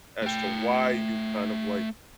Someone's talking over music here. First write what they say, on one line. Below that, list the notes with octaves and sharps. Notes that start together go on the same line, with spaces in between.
as to why you kind of like
A3 G5